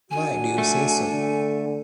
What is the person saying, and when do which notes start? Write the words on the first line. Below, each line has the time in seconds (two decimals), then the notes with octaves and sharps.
Why do you say so?
0.11 D4 F#4 G#5
0.58 A3
1.12 D3